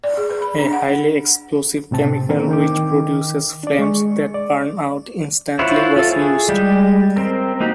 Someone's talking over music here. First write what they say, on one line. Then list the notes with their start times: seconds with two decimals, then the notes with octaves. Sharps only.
A highly explosive chemical which produces flames that burn out instantly was used.
0.04 D5
0.17 G#4
0.30 B4
0.42 B5
0.59 D4
0.73 F#5
1.91 A2 C3 C4 A5
2.29 D#3 A#3 C4 D4 A#4
2.48 D#3 G5 D6
3.63 D4 D5
3.79 G#3 C#6
4.34 D5
5.59 E4 F4 C5 C#5 F#5
5.96 F4 A4
6.13 G#4
6.49 G3 G#3 G5
7.16 C4 A#4
7.61 A#3 D#4 F#4 G4